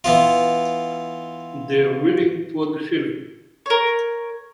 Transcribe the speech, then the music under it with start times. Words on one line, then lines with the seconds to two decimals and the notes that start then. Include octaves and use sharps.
They're willing – for the shilling.
0.04 E3 B3 F4
3.66 A#4 C#5